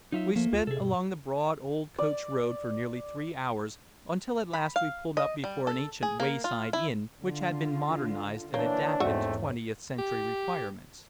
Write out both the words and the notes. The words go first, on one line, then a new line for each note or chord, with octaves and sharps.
We sped along the broad old coach-road for nearly three hours, until at last we pulled up before an ancient wayside inn which had been modernized and adapted to twentieth-century requirements.
F#3 D#4 F4 E5
F3 A3 A#3
D2 F4
C3 G#4 A4
G2 B2
D5
B5
F5
D#5
G3
A4
G#4
A#3
F4
E4
D3 F4
E3 A#3 D4 C#5
E2 G#2 G#3 A3 C4 D4 F#4 E5
G4